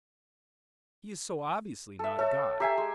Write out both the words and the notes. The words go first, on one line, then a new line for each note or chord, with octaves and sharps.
He is so obviously not a god.
A4 E5
A4 C#5 E5
G4 E5 G#5 A#5 C7
G#3